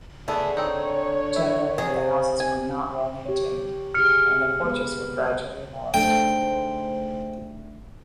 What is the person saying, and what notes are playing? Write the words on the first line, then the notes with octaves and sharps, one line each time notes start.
Generally, the houses were not well maintained, and the porches were gradually lost.
D3 A3 B3 G#4
C4 D#4 C#5
E4
C3 G#4
G#5
G4 C#5
C3 G4 G#4 F6 C#7
G#3 B3 B4
G#2 A3 D4 C5 G5